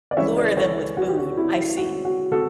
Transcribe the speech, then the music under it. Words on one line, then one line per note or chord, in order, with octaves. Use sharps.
Lure them with food, I see.
D5
C#2 C#3 E3 C#5 E5
B4 D5
A4 C#5
F#4
G4
F#4
E4
F#4
F#4
F#4 A4